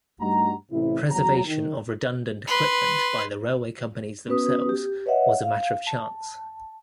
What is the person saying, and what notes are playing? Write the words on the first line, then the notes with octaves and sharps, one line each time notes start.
Preservation of redundant equipment by the railway companies themselves was a matter of chance.
G2 G3 A3 D#4 F#4 A#5
A1 C3 E4
E2 F#3 A#5
D#3
B4 C6
B3 C#4 F#4 B4 D#6
G4
B4 C#5 D#5 E5 F#5
F5
A5